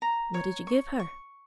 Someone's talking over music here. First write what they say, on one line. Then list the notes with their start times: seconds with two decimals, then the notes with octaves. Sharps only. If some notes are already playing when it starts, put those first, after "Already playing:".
'What did you give her?'
0.02 A#5
0.34 C#5
0.67 C#6
0.99 C#6